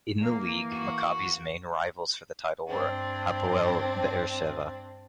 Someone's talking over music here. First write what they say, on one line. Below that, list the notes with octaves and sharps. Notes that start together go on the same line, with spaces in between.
In the league, Maccabi's main rivals for the title were Hapoel Be'er Sheva.
E3 A#3
F#4
G2 C4 D4